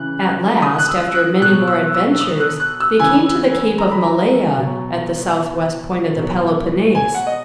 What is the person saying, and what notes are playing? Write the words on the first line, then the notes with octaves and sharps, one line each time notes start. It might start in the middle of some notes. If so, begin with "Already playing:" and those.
At last, after many more adventures, they came to the Cape of Malea, at the southwest point of the Peloponnese.
Already playing: C#3 E3 F#6
D#6
F#6
E6
F#6
B2 F#3 F#6
E6
E6
D#6
F#6
F#6
E6
C#3 E3 G#5
A#5
B5
A#5
B2 F#3
B2 F#3
G#5
F#5
D#5